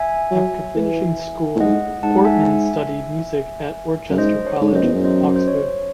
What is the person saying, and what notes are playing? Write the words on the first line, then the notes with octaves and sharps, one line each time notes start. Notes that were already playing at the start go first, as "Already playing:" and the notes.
After finishing school, Portman studied Music at Worcester College, Oxford.
Already playing: E5 G#5
F#3
E3
A2
G#2 D#5 F#5
G#2 F#5 A5
E5 G#5
F#2
G#2 C5 D#5
C#5
G#2
F#2 C5 D#5
E2
F#2
C5 D#5
C5
C#5